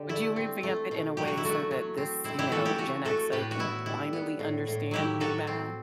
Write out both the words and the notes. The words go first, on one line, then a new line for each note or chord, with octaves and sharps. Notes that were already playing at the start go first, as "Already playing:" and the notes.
Would you revamp it in a way so that this, you know, Gen Xer can finally understand new math?
Already playing: D3 G4
A3 E4
C4
A3
B2
F#3 G4
F#4
E4
A3 F#4
F#3
C4
C4 E4
E4 G4
E3 F#4 A4
E4 G4
A3 F#4
A3 F#4 A4
A2 G4 B4
F#4
B3 E4
G3 E4
B3
A2
A2
F#3 E4 G4
F#3 F#4 A4
C4